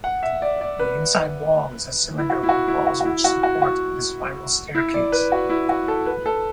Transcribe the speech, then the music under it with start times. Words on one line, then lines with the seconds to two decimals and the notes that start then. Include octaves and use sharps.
The inside wall is a cylinder with walls which support the spiral staircase.
0.04 F#5
0.23 E5
0.42 D5
0.61 D5
0.79 B4
2.18 E4
2.30 F#4
2.43 E4
2.49 F#4
2.68 E4
2.87 F#4
3.00 F#4
3.05 E4
3.24 F#4
3.43 F#4
3.62 F#4
4.75 E4
4.94 D5
5.12 B4
5.32 F#4
5.50 E4
5.69 F#4
5.88 A4
6.06 B4
6.26 A4